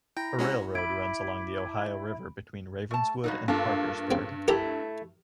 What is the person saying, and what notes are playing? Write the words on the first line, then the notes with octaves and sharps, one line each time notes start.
A railroad runs along the Ohio River between Ravenswood and Parkersburg.
E4 G5 A#5
G#3 C#4 F#4
E4 B5 D6 D7
A3 A5
G2 F#3 D#4
G2 A#3 F4 A4
C#3 C4
A3 E4 G4 A4 A#4